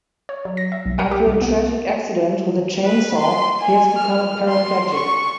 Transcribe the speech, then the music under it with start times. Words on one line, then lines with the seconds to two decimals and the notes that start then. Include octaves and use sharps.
After a tragic accident with a chainsaw he has become a paraplegic.
0.29 C#5
0.45 F#3
0.57 A#6
0.72 E5
0.86 B1
0.99 A#4
1.11 G4
1.27 C2
1.41 B3
2.84 B4
3.18 C6
3.60 G#5
3.98 F6
4.48 C6
4.94 C#6